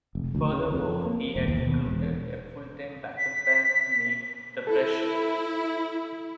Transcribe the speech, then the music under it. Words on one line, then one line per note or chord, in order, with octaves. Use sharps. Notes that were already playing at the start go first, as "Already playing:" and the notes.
Furthermore, he had recruited a full-time backup band, named The Pressure.
F1
D2
C#3
F2
A#3
E1
D#2
B2
E1
B6
E4 A4